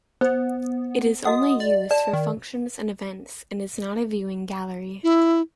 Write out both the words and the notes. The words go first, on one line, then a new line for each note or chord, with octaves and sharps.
It is only used for functions and events, and is not a viewing gallery.
B3 C5
F#4 D#5 F#5 D#6
D5
D5 A5
D#3
E4